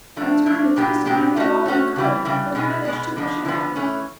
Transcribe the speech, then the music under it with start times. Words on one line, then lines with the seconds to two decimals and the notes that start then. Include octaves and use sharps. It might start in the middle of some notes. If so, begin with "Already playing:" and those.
I turned and twisted my head all I could, but he managed to push it up.
0.16 F3 A3 D4
0.46 F3 A3 D4
0.76 A#2 F#3 B3 D4 G4
1.05 A#2 F#3 B3 D4 G4
1.36 A3 C#4 F#4
1.65 A3 C#4 F#4
1.96 C#3 E3 G3
2.25 C#3 E3 G3
2.55 B2 G#3 B3
2.85 B2 G#3 B3
3.16 D3 F3 G#3 B3
3.45 D3 F3 G#3 B3
3.76 E3 A3 C#4